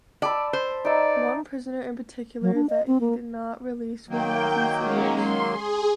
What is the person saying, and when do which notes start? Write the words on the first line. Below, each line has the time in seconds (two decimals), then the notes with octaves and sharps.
One prisoner in particular that he did not release was Matthew Flinders.
0.22 D5 A5 B5 E6
0.53 C5
0.85 D#4 D5 E5
2.42 F#3
2.54 D4
2.69 D#5
2.87 C4
3.01 A#3
4.09 D#3 F#3 A#3 G5
4.83 G#3 C#4
5.14 C6
5.49 G#4